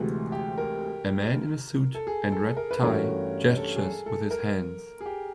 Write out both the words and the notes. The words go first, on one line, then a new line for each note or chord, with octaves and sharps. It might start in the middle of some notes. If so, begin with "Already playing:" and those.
A man in a suit and red tie gestures with his hands.
Already playing: D2 C3 E3 G#3 F#4
G4
A#4
A4
G#4
A4
A#4
B4
G2 E3 A3 C#4 F#4 A#4
A4
G#4
A4
A4
A#4
G#4
G4